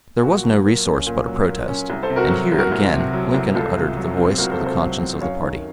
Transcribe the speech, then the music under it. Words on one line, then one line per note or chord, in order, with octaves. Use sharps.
There was no resource but a protest, and here again Lincoln uttered the voice of the conscience of the party.
A#2 F#4
F#3
A#3
C#4
A#2
F#3
A#3
C#4
C2
A4 C5
C3
F#4 A#4
F#3
C2
F#4 A#4
C2
C3
F#3
C2
C#2 F4 A4
C3
F#3
C4
C#2 F#4 A#4
A4 C5
C3
A4 C5
F#3
C4
F#2 C#5 F5
D#3